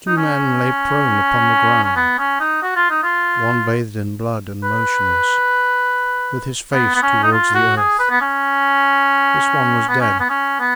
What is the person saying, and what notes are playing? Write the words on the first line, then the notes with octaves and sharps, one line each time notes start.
Two men lay prone upon the ground, one bathed in blood and motionless, with his face toward the earth; this one was dead.
D#4
C#4
C#4
B3
C#4
D#4
F#4
F4
D#4
F4
B4
B3
B3
C#4
D#4
F4
F#4
G#4
B4
B3
C#4
B3
C#4
B3
C#4
B3